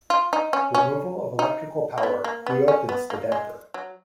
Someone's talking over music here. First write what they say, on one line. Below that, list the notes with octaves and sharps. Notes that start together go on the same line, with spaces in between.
Removal of electrical power re-opens the damper.
F4
D#4
C#4
C#4
D#4
A#3
B3
A#3
B3
C#4
B3
A#3
G#3
F#3